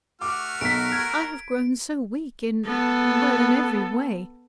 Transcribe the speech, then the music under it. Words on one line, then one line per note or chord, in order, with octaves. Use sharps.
I have grown so weak in--well, in every way.
A3 F#4 D6 F6
B1 A#4 B6 D7
G#6
B3 A4